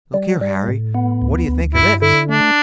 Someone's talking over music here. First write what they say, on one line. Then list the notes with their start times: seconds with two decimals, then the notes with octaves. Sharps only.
"Look here, Harry; what d'ye think of this?"
0.14 G3
0.41 G3
0.68 A2
0.95 B3
1.22 D2
1.48 D2
1.74 G2 E4
2.02 D3 E4
2.29 A3 D4